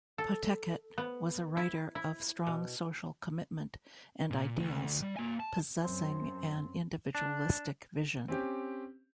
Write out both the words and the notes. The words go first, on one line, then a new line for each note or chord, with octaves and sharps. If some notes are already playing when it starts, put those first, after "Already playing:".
Pottekkatt was a writer of strong social commitment and ideals, possessing an individualistic vision.
A4
B3
E4
E4
B2
A#2
D2
G3
A#3 G#5
A5
F#2 C4
D4
C4 C#4 G4